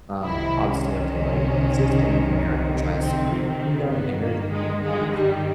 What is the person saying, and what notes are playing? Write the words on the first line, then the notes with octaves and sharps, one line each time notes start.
um, obviously, okay, right? The system of America tries to preach freedom, the American dream and all that stuff.
C2 C3 D#3 E4
C#4
C4
C4
G2 D#3 B3
A#3
G#3
G#3
G3